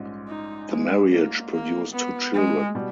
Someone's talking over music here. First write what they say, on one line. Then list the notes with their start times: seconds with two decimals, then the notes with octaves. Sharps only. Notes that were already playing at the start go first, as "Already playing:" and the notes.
The marriage produced two children.
Already playing: A#1 G#2 G3 C#4
0.28 D#4
0.69 G#3
1.11 A#3
1.52 A#3
1.92 B3
2.34 G#3
2.75 B2 G3